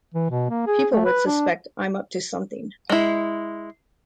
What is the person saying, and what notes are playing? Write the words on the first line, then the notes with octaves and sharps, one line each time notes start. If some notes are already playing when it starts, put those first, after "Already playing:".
People would suspect I'm up to something.
E3
B2
A#3
G#4
A3
B4
D4
G#3 E4